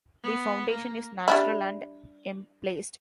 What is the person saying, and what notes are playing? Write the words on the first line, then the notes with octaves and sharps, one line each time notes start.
The foundation is natural and emplaced.
B3
A#3
G3 D4 E4